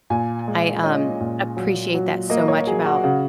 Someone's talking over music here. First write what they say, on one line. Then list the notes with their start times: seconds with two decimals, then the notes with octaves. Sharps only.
I, um, appreciate that so much about
0.10 A#2 G#5
0.48 G#3
0.84 C#4 D#5
1.20 A#2
1.57 F#3
1.94 F#3
2.30 A#3 D#5
2.48 C#5
2.67 F#3 G#4
2.85 F#4
3.03 C#3 F#4